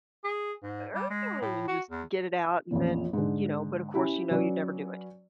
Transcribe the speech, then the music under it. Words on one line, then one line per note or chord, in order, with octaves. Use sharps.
"Ugh" and just get it out and then, you know but of course you know you'd never do it.
G#4
G#2
G3
G#3
A2
F#4
E2
A1 F2 A#2
G#2 D3
C#4 E4 G4
F#3 C#4 B4 D5